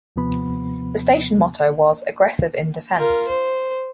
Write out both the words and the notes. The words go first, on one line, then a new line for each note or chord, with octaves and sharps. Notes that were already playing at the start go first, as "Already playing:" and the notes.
The station motto was "Aggressive in Defence".
D#2 C3 F3 B3 B5
F4 A#4
C5